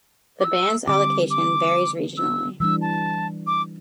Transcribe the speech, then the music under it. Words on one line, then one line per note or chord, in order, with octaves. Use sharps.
The band's allocation varies regionally.
D6
E6
D3 G3 C4 G4 D6
D6
E6
E3 G3 D4 E6
A5
D6